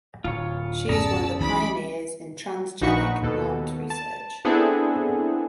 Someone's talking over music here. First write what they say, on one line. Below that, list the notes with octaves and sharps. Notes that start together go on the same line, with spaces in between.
She is one of the pioneers in transgenic plant research.
D1 F4 C#5
F#2 B2 C#4 G#4 D5 A5 A#5 E6
B1 E3 B5 D6
A#1 D#4 F#4 B5 C#6
D#2 B2 A4
A5
B3 C4 D4 E4 G#4 A4